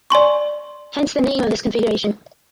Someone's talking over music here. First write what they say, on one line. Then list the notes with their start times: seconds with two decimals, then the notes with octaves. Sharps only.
Hence the name of this configuration.
0.10 D5 G#5 C6 C#6